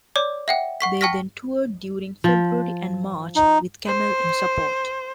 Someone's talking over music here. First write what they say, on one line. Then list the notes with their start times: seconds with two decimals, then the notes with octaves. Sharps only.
They then toured during February and March with Camel in support.
0.16 C#5 D5 D6
0.48 E5 F#5 G5
0.81 F#5 C#6 B6
1.01 G5 A5 C#6 F6 A#6 B6
2.24 F3
3.36 D#4
3.86 C5